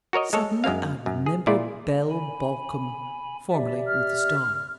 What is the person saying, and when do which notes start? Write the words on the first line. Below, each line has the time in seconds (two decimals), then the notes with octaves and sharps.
Suddenly I remembered Belle Balcom, formerly with the Star.
0.13 F#4 A#4 C#5 D#5
0.33 G#3 A4 C#5
0.64 F#2 G#3 A#3 F5
1.06 F#2
1.26 G#4
1.47 A#2 E4 F4 D5
2.10 G#5 B5
3.52 G4 D5 E5
3.88 F6